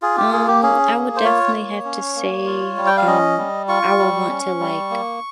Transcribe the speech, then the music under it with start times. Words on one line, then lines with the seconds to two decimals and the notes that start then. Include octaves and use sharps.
Um, I would definitely have to say, um, I will want to, like,
0.02 F4 G#4
0.17 G4
0.32 A#3 G#4
0.48 G4
0.63 C#4 G#4
0.93 A#3
1.16 C5
1.24 F4 C#5
1.54 A#3
1.85 C#4
2.16 A#3
2.46 F4
2.77 G3
2.87 G5
2.97 F5
3.07 C#4 D#5
3.38 G3
3.68 F4 C#6
3.99 G3
4.29 C#4
4.60 G3
4.91 A#3